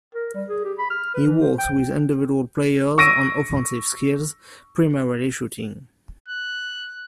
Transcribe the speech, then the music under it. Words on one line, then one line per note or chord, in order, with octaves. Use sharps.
He works with individual players on offensive skills, primarily shooting.
A#4
G3
G#4
G4
B5
F6
B4
E3
C5
G5
C#6 E6 A#6 D7 D#7
F#6